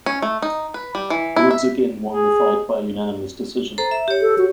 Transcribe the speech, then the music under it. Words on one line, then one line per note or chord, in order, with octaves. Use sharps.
Woods again won the fight by unanimous decision.
C#4
A3
D#4
B4
G3
E3
E4
E5
G#4
A4 C5 A#5
E5
G4 C#5
A4
F#4